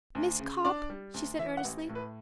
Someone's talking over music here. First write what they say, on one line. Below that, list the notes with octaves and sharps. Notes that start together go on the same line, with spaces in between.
"Miss Copp," she said earnestly.
D2
C#3
D4 D5
G3
D2
E3 E5
F#5
A1
A2
B4